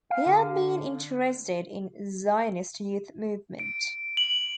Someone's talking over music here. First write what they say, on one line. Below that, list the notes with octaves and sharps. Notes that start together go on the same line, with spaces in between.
He had been interested in the Zionist youth movement.
F5
D3
D7
F#7